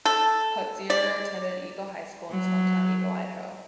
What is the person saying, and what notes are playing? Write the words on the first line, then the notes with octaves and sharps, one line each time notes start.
Putzier attended Eagle High School in his hometown Eagle, Idaho.
A4
D5
F#3